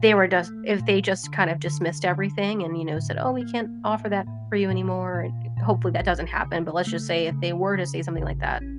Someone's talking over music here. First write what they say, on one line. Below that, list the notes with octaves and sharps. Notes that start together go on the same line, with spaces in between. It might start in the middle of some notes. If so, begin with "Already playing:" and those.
they were dust if they just kind of dismissed everything and, you know, said, "Oh, we can't offer that for you anymore. Hopefully, that doesn't happen. But let's just say if they were to say something like that,
Already playing: A#2
A3
A#2
D3
D3
D3
D3
A2
A#3
A2
A2
A#2
A#2
A#2
A#1
C#3
A3
C#3
C#3
A1
C#4